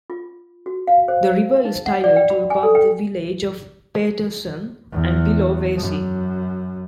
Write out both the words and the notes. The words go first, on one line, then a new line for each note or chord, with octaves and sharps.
The river is tidal to above the village of Paterson and below Vacy.
F4
F#4
F5
C5
D#4
F#5
D5
G5
B5
G#5
A4
G5
E2
F#2